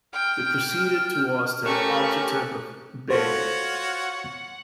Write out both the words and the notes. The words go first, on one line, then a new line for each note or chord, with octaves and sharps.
They proceeded towards their objective of Bayeux.
G5 F6
A3 C4 C#4 G4 A#4 C#6
F4 F#4 A4 C5 C#5 F#5